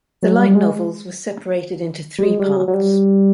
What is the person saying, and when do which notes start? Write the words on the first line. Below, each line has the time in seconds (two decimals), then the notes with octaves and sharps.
The light novels were separated into three parts.
0.23 F#3
0.39 G3
0.55 G#3
2.19 G3
2.23 G#3
2.39 G3
2.56 F#3
2.68 F#3
2.74 G3